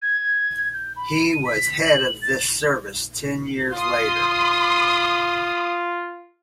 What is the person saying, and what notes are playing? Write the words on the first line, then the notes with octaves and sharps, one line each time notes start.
He was head of this service ten years later.
G#6
G6
B5
D#7
B6
F#7
A6
F4 C6 D#6